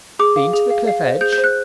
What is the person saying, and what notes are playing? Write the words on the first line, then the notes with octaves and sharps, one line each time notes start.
"Been to the cliff edge?"
G#4 D6
F5
G#4
F5
F5
C5
G#4 G6
G6
C5
F#6